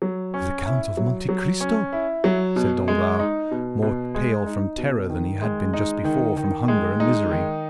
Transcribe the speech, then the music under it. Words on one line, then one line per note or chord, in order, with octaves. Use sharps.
"The Count of Monte Cristo!" said Danglars, more pale from terror than he had been just before from hunger and misery.
F#3
C#4
E4
F#3
F#3
C#4
E4
F#3
B2
G#3
D#4
B2
B2
G#3
D#4
B2
D#3
G#3
D#4
D#3
D#3
G#3
D#4
D#3